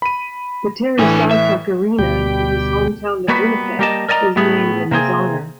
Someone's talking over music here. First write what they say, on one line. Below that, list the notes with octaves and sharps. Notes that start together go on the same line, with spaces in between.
The Terry Sawchuk Arena in his hometown of Winnipeg is named in his honour.
B5 D#7
A2 E3 D4 G#5
E5
D2 B2 G3 G4 G5
G3 A#3 B3 F#4 B4
G3 A#3 G4 A#4 D#5 A5
A#4 D5 D#5 G#5 A#5
A2 A3 B3 G#4
C3 A#3 C4 G#4